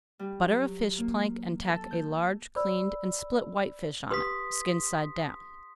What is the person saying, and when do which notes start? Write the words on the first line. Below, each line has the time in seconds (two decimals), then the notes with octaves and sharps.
Butter a fish-plank and tack a large cleaned and split whitefish on it, skin side down.
0.19 G3
0.44 F#3
0.98 A#3
1.68 A4
1.91 G6
2.56 C5 D5 B5 E6
4.10 G4 B4 C6 D#6 B6